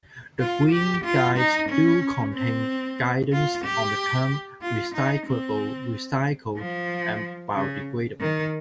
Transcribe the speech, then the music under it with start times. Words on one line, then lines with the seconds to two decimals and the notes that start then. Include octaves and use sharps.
The Green Guides do contain guidance on the term recyclable, recycled and biodegradable.
0.39 F4
0.72 G4
1.05 F4
1.37 D#4
1.69 C#4
2.34 C4
3.33 F4
3.65 G4
4.62 F4
4.95 D#4
5.27 C4
6.57 F3
7.55 C#3
8.20 D#3